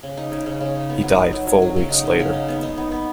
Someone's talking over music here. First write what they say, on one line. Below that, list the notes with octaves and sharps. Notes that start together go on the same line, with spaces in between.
He died four weeks later.
C#3
D#4
C#3
C#3
C#3
D#4
B3
F#3
D#4
F#3
F#3
F#3
C#3
D#4
D#4
C#3
D#4
B3
D#4
B3
B3